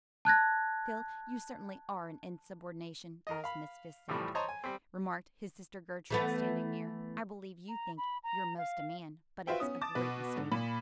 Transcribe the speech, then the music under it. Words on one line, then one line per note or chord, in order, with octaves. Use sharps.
"Phil, you certainly are an insubordination, as Miss Fisk said," remarked his sister Gertrude, standing near, "I believe you think you're 'most a man, but it's a great mistake."
A5 F#6 G#6 A#6
A#4 D#5
F5 B5
A2 E3 F3 G3 A3
C5 C#5 D#5 A5 A#5
G#5
G3 C4
E3 A3 B3
A#5
B5
A#5
F5
F4 F#4 B4 C5 E5 G5
B3 C#4 D#6
A5 D6 A6
B2 B4
G#2 D3
A#2 B5